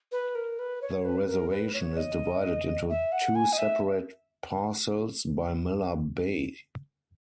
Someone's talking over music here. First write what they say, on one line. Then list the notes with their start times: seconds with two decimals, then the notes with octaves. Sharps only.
The reservation is divided into two separate parcels by Miller Bay.
0.12 B4
0.35 A#4
0.59 B4
0.82 C#5
1.05 B4
1.28 A#4
1.50 B4
1.74 C#5
1.97 D#5
2.89 E5
3.12 F#5
3.35 G#5
3.53 D#5
3.58 E5